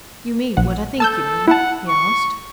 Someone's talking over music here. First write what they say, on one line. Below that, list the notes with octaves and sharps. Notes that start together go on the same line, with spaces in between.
"You mean what I think you mean?" he asked.
A#1 F#5
A4 A5 E6 G6
E4 F#5 A5
C#6